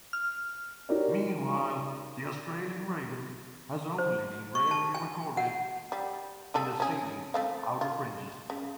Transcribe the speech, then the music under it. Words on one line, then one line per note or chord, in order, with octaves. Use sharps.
Meanwhile, the Australian raven has only been rarely recorded in the city's outer fringes.
F6
D#4 F#4 G4 A#4 C#5 D5
C5
C#6
A5
G#5
F#5
G3
G3 G#4 A4
C#4 G#4
A3 C4 F5
F4
C#3